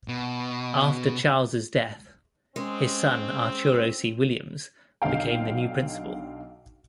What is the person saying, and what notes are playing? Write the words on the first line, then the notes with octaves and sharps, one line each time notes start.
After Charles' death, his son Arturo C. Williams became the new Principal.
B2
G#3 C4 C#4
B1 D3 D#4 F5 G5